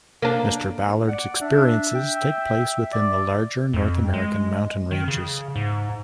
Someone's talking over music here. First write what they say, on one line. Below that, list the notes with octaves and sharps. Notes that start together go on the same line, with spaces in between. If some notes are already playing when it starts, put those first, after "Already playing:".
Mr. Ballard's experiences take place within the larger North American mountain ranges.
A#3 D4
D5 F#5
D4 E5
G5
D5
F2
G#3
D#3
C#3
G#2